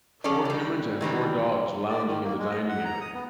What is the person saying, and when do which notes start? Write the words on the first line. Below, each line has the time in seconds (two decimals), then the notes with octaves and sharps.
Four humans and four dogs lounging in the dining area.
0.24 F3 C#4 G#4 A4 D5
0.45 E3 G3
1.01 C3 D#3 E3 G3
1.90 D5
2.07 D#3
2.23 A#3
2.38 G#3
2.51 D#5
2.69 F#5
2.85 A#5
3.01 D#6
3.14 B3